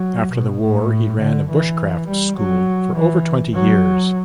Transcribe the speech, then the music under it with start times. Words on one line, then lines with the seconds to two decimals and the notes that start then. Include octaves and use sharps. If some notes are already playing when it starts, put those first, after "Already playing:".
After the war he ran a bushcraft school for over twenty years.
Already playing: F#3
0.32 B2
0.61 A2
1.20 D3
1.50 E3
2.08 G3
2.37 F#3
2.95 E3
3.54 F#3